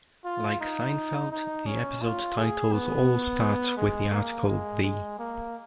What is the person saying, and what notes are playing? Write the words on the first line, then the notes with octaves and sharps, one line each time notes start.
Like "Seinfeld", the episode titles all start with the article "The".
F4
D#4
D#4
C#4
F4
G#4
B3
G#3
A#3
G#3
G#3
A#3